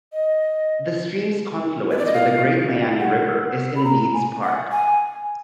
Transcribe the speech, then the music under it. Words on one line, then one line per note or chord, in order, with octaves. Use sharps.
The stream's confluence with the Great Miami River is in Deeds Park.
D#5
B4
D5
D#5
F5
F#5
B5
A#5
G#5
F#5
G#5